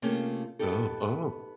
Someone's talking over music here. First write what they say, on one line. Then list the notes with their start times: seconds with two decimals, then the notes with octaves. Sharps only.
Oh, oh.
0.02 C3 A3 A#3 C#4 F4 G#4
0.59 B3 D#4 G4 A4